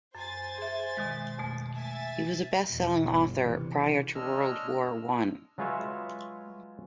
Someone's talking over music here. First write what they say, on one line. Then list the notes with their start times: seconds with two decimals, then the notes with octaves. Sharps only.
He was a best-selling author prior to World War One.
0.15 F#2 C5 G#5 A6
0.58 G#4 E5
0.97 B2 D#3 G#3
1.38 F2 B2 A3
1.74 E5 G#5 A6
2.67 E2 B2
3.00 G1
3.41 C3 E3
4.15 G#3 D4 C#5 D#5 E6 F6
5.58 F#3 G#3 F4 B4 C#5 E5